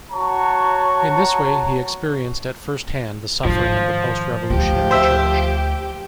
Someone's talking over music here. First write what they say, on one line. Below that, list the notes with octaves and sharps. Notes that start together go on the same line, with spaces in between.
In this way he experienced at firsthand the suffering of the post-Revolutionary Church.
F#4 C#5 A5 A#5 C#6
G#2 D#3 F3
D2 G4
C5 E5